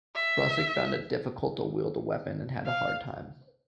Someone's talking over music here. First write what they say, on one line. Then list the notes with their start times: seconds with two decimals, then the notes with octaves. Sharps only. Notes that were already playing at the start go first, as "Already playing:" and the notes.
Brussig found it difficult to wield a weapon and had a hard time.
0.15 E5
2.66 F5